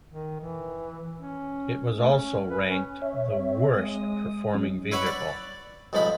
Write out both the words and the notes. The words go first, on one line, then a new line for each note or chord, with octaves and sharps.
It was also ranked the "Worst Performing Vehicle".
D#3
E3
C#4
A3
C#4
B4
C#4
C#5 E5
C4
G#3 D#6
F#3 C#4
E4 B4 C#5 E5 F#5 B5
D5
A1 G#2 F3 G#3 B5